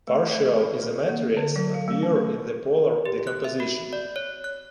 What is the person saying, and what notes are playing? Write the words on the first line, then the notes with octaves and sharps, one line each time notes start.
Partial isometries appear in the polar decomposition.
A3
C5
A4
A4
A#3
D3
F#3
F5
A3
C#4
B4
G4
F#6
E5
F#4
D5
C#5
F#6